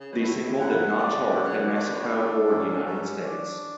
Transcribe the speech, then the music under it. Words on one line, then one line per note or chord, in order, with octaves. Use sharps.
The single did not chart in Mexico or United States.
C#3
B2
A2 E4
G#2 F#5
A2 D5
B2 F#5
C#3
B2
A2 D4
B2
A2
A4
G#2 C#4
G#2 C#4
D4